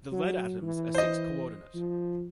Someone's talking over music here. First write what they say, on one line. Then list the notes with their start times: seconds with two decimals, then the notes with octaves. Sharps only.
The lead atoms are six-coordinate.
0.12 F#3
0.62 E3
0.95 C5 D#5
1.75 F3